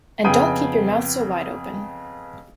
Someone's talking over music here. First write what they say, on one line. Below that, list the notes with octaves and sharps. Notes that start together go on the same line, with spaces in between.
And don’t keep your mouth so wide open!
F2 C#3 B3 G#4 G5 D#7